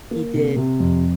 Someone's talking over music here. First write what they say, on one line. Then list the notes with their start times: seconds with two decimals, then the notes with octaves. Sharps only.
he did
0.11 A#3
0.34 C3
0.56 C3
0.80 F2